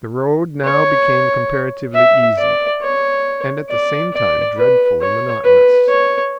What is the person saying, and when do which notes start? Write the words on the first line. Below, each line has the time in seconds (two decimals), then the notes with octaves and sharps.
The road now became comparatively easy, and at the same time dreadfully monotonous.
0.64 C#5
1.94 E5
2.38 D5
2.82 C#5
3.69 D5
4.13 D5
4.56 B4
5.01 C#5
5.44 B4
5.89 C#5